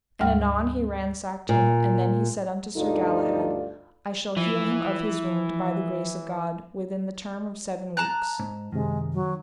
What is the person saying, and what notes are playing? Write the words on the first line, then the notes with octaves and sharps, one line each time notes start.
And anon he ransacked him; and then he said unto Sir Galahad: I shall heal him of his wound, by the grace of God, within the term of seven weeks.
D2 G#2 G3 G5 F6 A#6
A#2
D2 G2 D#4 F4 A4 D5
E3 F3
A5 A#5 F#6
G#2
F#2 C3 D#3 G#3
F#3